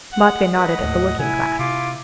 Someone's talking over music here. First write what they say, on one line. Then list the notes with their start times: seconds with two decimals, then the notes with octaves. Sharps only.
Matvey nodded at the looking-glass.
0.13 F#5
0.54 B4 D#5 F#5
0.83 D#2 A2
1.19 C3 E4 G#5
1.59 C3 F4 D6